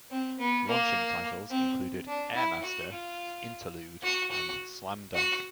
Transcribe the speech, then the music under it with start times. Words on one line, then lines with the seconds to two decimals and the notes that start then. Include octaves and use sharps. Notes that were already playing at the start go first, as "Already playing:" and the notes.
Launching titles included "Air Master", "Interlude", and "Slam Dunk".
0.11 C4
0.39 B3
0.67 A#3
1.50 C4
2.07 D4
2.35 E4
2.63 F#4
2.91 F4
4.03 F#4
4.31 F#4
5.15 F#4